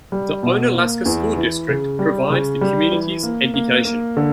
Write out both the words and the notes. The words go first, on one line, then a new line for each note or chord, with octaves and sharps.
The Onalaska School District provides the community's education.
G3
B2
A#3
E2
E3
C#3
G3
C#3
G3
E3
A#3
A#3
A#3
D3